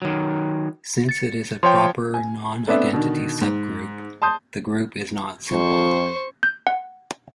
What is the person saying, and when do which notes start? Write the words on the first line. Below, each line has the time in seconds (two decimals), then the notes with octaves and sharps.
Since it is a proper, non-identity subgroup, the group is not simple.
0.02 D#3 F#3
1.09 A6 C#7
1.63 F3 C#5 G5 C6
2.14 G#5
2.67 A3 B3 C4 D4 E5
2.93 B2 D3 D#3
3.41 G#2
4.22 A5 C6 D#6 G6
5.51 F2 C5 C#6
6.43 G6
6.67 F#5